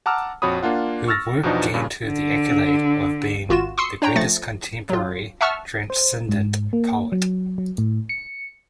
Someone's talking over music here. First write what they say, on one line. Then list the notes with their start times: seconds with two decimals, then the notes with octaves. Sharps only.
Her work gained her the accolade of being "the greatest contemporary transcendent poet".
0.06 F#5 A5 A#5 D6 E6 F6
0.42 A#1 F2 F#4 C#5 B5 D#6
0.63 A#3 D4 F4 F#5
1.08 C#6 E6 F6 A6 A#6
1.43 E2 B2 F3 D4 D#4
1.74 G2 A#2 C#3
2.06 D3
3.49 G#1 F4 F#4 E7
3.78 C6 C#6 D#6 E6 C7 C#7
4.02 D4 C#5 G5 A#5
4.16 F3 A3 A6 A#6 C#7
4.90 F#3 F4
5.41 E5 F#5 A5 C#6 E6 F6
5.90 C5
6.29 G#2
6.73 A#3
7.12 F#3
7.58 F#3
7.78 A2
8.09 C#7